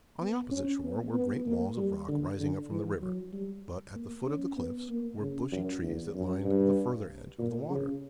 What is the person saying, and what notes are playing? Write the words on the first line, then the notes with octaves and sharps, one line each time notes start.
On the opposite shore were great walls of rock rising up from the river, but at the foot of the cliffs were bushy trees that lined the further edge of the water.
B3
C#4
B3
B3
A#3
G3
D3
D3
E3
F#3
G3
A#3
C#4
B3
A#3
C#3
F#2
E2
F#2
G2
A#2
C#3